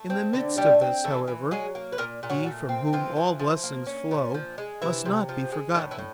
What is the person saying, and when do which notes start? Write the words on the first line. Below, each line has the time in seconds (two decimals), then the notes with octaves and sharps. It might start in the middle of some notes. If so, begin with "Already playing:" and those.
In the midst of this, however, He from whom all blessings flow must not be forgotten.
Already playing: A3
0.10 C4
0.33 D3
0.57 G3 A3 G4
0.81 C4
1.04 E3 A3 A4
1.28 E3
1.51 F#3 G#3 G#4
1.75 A#3
1.92 B4
1.98 A#2 A#3 A#4
2.23 A#2
2.30 F#3 F#4
2.46 A3
2.69 C4
2.93 E3 F3 F4
3.16 E3
3.39 F3
3.64 A#3
3.87 C#4
4.11 A#2
4.34 F3
4.58 G#3
4.82 C3 E3 E4
5.05 C3
5.29 F3
5.52 G#3
5.75 A2 D#3 D#4
5.91 E3 E4
5.99 A2